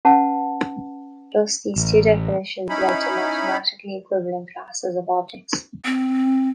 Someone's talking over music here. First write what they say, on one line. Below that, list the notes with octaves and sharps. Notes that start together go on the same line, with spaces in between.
Thus, these two definitions lead to mathematically equivalent classes of objects.
C#4 B4 F#5 A5
A1
C#4 D#4 E4 B5
C4